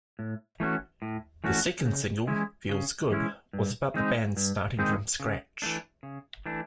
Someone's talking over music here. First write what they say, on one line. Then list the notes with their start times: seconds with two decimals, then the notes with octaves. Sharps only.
The second single "Feels Good" was about the band "starting from scratch".
0.19 A2
0.60 E3 A3 C#4 F#4
1.02 A2
1.44 E3 A3 C#4 F#4
1.85 C#3
2.27 E3 G#3 C#4 E4
2.69 C#3
3.10 E3 G#3 C#4 E4
3.53 G2
3.94 D#3 G#3 C4 D#4
4.37 G2
4.79 D#3 G#3 C4 D#4
5.20 C#3
5.62 E3 A3 D4
6.03 C#3
6.46 E3 A3 D4